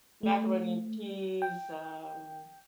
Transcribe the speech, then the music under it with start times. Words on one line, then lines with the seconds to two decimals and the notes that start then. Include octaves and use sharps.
Macaroni and cheese, um
0.23 A3
1.42 G5